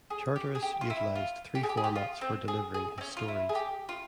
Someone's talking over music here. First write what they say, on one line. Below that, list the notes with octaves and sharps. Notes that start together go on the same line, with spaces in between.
Charteris utilized three formats for delivering his stories.
G#4
G4
G#4
G4
F4
E4
F4
G4
G#4
G4
G#4
G4
F4
C4
G#4
G#4
C4
C#4
F4
E4
G#4
G4
F4